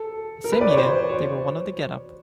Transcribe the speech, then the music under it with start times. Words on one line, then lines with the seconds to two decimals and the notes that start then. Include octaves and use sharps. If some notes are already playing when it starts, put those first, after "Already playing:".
The same year, they were one of the Getup.
Already playing: A4
0.44 A#4
0.52 B4
0.61 D5
0.69 C#5
0.77 C5
1.09 C#5